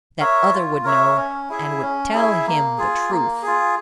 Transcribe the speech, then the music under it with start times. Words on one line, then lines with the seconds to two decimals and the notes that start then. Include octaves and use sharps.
That other would know, and would tell him the truth!
0.20 A#4 C#5 E5
0.53 F4
0.84 A#4 C#5 E5
1.17 C#4
1.49 E4 G#4 E5
1.82 C#4
2.13 E4 G#4 E5
2.46 A#3
2.78 F4 G#4
3.10 A#3
3.43 F4 G#4